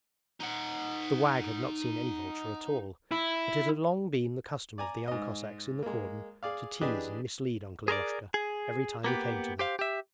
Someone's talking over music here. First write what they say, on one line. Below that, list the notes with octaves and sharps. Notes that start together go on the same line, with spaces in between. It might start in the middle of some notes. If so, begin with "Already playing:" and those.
The wag had not seen any vulture at all, but it had long been the custom of the young Cossacks in the cordon to tease and mislead Uncle Eroshka every time he came to them.
D#4 F#5
E4
D5 G#5 A#5
G#2 D#5
G#3 A#3
G#4 D5 F5
E3 D4 G4 G#4 B4 D#5
G#4 A#4 C5 D5
G#4
A#3 B3 G4
G4 C5 F5
G4 E5